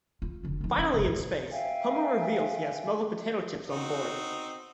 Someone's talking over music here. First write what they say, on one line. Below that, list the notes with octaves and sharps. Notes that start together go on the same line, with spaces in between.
Finally in space, Homer reveals he has smuggled potato chips on board.
F4
F1 D3
F3 D#4
C#4
F1
A2
E5 F5 G5 G#5
C4 D#4 F#4